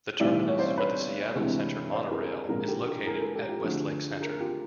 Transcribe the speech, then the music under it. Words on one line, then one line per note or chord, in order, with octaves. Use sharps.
The terminus for the Seattle Center Monorail is located at Westlake Center.
B1 A2 E3 G3 D5 E5
C#5
C5 D5
B4 C#5
D2 C3 E3 G#3
C5 D5
B4
G#4 A#4
A#1 G#2 F3 G#4 A#4
G4 A4
G4 A4
G#4 A#4
A4 B4
G4 A4
F4 G4
D2 D3 F3 A3 F#4 G#4
G#4 A#4
F4 G4